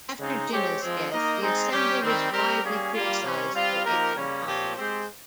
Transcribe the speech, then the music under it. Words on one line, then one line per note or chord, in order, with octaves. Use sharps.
After Jinnah's death, the assembly was widely criticized for its incompetence.
C#3 G#3 C4 D#4
G#3 C4 G4 C#5
F3 G#3 C4
A#3 D#4 A#4 D#5
G#3 C4 D#4
G3 C#4 G4
D#3 G3 C4
G3 C4 G4 A#4
G3 A#3 C#4 G#4
G3 A#3 F4
C3 G3 C#4
G3 C4 F4
F3 A#3 D#4 G4 A#4
C#3 G3 A#3 C#4
A#2 F3 C4 G4 C#5
G#3 C4 G4 C5